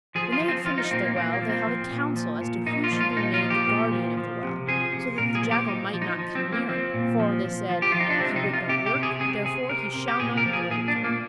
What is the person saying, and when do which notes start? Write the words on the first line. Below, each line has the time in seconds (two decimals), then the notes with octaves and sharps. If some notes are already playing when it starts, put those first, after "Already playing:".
When they had finished their well, they held a council as to who should be made the guardian of the well, so that the jackal might not come near it, for, they said, 'he would not work, therefore he shall not drink.'
0.15 F3 G#4
0.32 F4
0.40 F3
0.48 C4
0.65 F3 F4
0.78 D#4
0.91 A#2 C4
1.03 A#3
1.16 A#2 C4
1.33 A#3
1.42 F3
1.49 C4
1.67 F3
1.91 A#2
2.16 F3
2.41 A#2
2.66 A#2 D#4
2.84 F4
2.91 F3
3.00 F4
3.17 A#2 D#4
3.34 F4
3.42 F3
3.50 G4
3.67 A#2
3.92 F3
4.17 F3
4.43 C3
4.67 F3 G#4
4.93 C3
5.18 A#2 A#4
5.35 G#4
5.43 F3
5.51 G4
5.68 F3 D#4
5.94 F3
6.02 D#4
6.18 F3
6.35 C4
6.44 F3
6.52 A#3
6.69 F3 C4
6.94 A#2
7.19 F3
7.44 F3
7.69 F3
7.82 G4
7.92 F3 F4
8.00 D#4
8.10 D4
8.20 C3 C4
8.36 D#4
8.44 C3
8.53 F4
8.69 C3 G4
8.86 G4
8.94 C3
9.03 G#4
9.20 C3 G#4
9.45 C3 G#4
9.69 C3 A#4
9.96 C3
10.08 G4
10.20 A#2 G#4
10.37 A#4
10.45 F3
10.53 G#4
10.70 A#2 G#4
10.88 D4
10.96 A#2
11.04 A#3